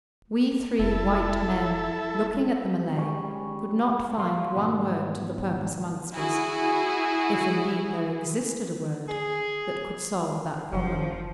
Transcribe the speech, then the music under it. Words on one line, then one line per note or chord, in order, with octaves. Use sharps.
We three white men, looking at the Malay, could not find one word to the purpose amongst us--if indeed there existed a word that could solve that problem.
F1 E4 A4
G3 G#3 C#4
F3 F#3 F4 F#4
G#2 B2 D#3 B3
E4 F#4 G#4
G#4
F#1 F3